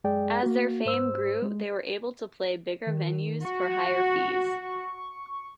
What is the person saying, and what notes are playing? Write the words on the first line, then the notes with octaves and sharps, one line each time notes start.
As their fame grew they were able to play bigger venues for higher fees.
F#2 G#3 G#4 D5 G5
A#3 F#4
G#2 C5 E6
G#3
D#3
F#4 C#6